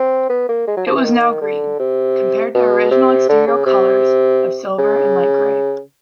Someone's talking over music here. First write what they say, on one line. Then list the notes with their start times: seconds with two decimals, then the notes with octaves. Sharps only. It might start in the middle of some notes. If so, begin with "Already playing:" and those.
It was now green, compared to original exterior colours of silver and light grey.
Already playing: C4
0.29 B3
0.49 A#3
0.67 G#3
0.77 F#3
0.86 F3
0.95 E3
1.04 D#3
1.41 D3
1.80 C3
2.55 B2
2.91 C3
3.29 D3
3.47 C#3
3.66 C3
4.78 C#3